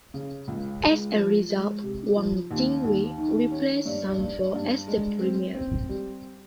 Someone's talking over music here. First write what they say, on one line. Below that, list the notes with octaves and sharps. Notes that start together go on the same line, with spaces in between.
As a result, Wang Jingwei replaced Sun Fo as the Premier.
C#3
C#2
G#3
F3
G#3
C3
F3
D#2
D#2
D#3
C#4
G2
G2
G2
G#3
C4
C4
G3